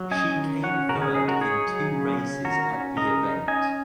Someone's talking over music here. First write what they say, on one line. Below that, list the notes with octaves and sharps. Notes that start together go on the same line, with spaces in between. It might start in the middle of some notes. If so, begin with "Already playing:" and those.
She came third in two races at the event.
Already playing: F#3
C#4 D#5 G#5
D#3
C#4 C#5 F#5
C#3 F#4 A#4
G#4
D#4 G#4
F#4 A#4
D#4 G#4 C#5
F#3
C#3
C#4
D#3 F#4 A#4
C#4
C#3 A#4 D#5
D#4
C#4 D#5 G#5